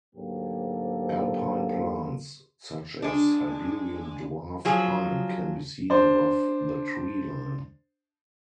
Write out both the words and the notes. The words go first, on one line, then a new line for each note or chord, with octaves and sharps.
Alpine plants, such as Siberian dwarf pine can be seen above the tree line.
D2 G#2 F#3 A#3 G4 A4
G#3 D4
F3 F#3 G#4
D4 C5